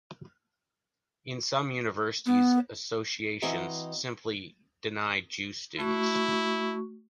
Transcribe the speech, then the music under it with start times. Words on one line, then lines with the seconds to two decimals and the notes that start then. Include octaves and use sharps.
In some universities, Associations simply deny Jew students.
2.26 B3
3.42 E3 C4 F#4 D#5 A#5
5.79 A3 E4 F#4 C#6